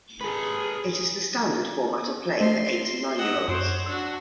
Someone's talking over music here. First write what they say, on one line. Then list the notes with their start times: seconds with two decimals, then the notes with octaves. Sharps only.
It is the standard format of play for eight- and nine-year-olds.
0.21 G#4 A4 B4
2.40 A3 C5 D#5 C6
3.18 D#5 F#5 E6
3.48 F#2 C5 C#5 D7
3.86 D4 F#4 E6